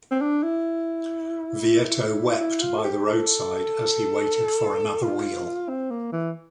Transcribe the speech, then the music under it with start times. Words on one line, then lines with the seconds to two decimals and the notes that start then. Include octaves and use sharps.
Vietto wept by the roadside as he waited for another wheel.
0.11 C4
0.22 D4
0.43 E4
2.41 E4
2.62 F4
2.78 A4
2.85 G4
3.05 A4
5.03 F4
5.69 C4
5.90 A#3
6.12 E3